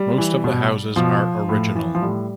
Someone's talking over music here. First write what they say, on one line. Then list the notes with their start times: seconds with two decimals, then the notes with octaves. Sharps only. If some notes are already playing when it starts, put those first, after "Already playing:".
Most of the houses are original.
Already playing: G3
0.18 E3
0.44 B2
0.96 B2 F3
1.49 A2
1.75 E3
1.95 F3
2.02 A2 G3